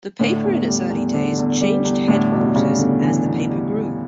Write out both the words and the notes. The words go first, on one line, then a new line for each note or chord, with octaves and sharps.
The paper in its early days changed headquarters as the paper grew.
A2 D3
E2
G3
E2
D3
E2
G3
E2
A2 D3
E2 B2
C#3 G3
E2 D3
D3 E3
E2
G3
E2